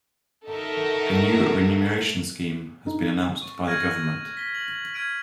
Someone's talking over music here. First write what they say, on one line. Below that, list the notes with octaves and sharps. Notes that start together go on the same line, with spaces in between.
A new renumeration scheme has been announced by the government.
D#4 F#4 A4 A#4 E5
D#4
C#6
F6 F#6 G#6 A#6 D#7 F#7
B6 G7
F#7
F6 G#6 D7 D#7